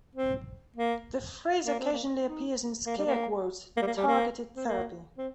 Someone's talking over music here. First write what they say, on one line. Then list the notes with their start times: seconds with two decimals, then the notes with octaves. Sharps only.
The phrase occasionally appears in scare quotes: "targeted therapy".
0.15 C4
0.76 A#3
1.66 A#3
1.79 C4
1.92 A#3
2.26 D#4
2.86 A#3
2.97 G3
3.06 A#3
3.77 A#3
3.82 G3
3.87 A#3
3.97 G3
4.07 A#3
4.56 C4
4.67 A#3
5.18 C4